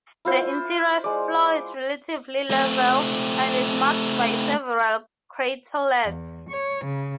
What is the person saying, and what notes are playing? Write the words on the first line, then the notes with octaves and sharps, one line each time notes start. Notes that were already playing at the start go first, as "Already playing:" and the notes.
The interior floor is relatively level, and is marked by several craterlets.
E4 F4 C5
G#3 D5
A3 C4
E2
C#5
C#3